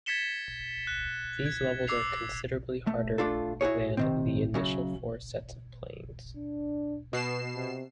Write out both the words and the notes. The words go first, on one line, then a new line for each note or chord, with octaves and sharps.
These levels are considerably harder than the initial four sets of planes.
G#6 A6 B6 C#7 E7 G7
F#6
G#6
D6 E6 C7 F7
A3
A3 D4 F4 A4
E4 F#4 G#4 C#5
C3 D#3 C4
F#2 C#3 F#3
D4
B2 B3 C7 E7
C3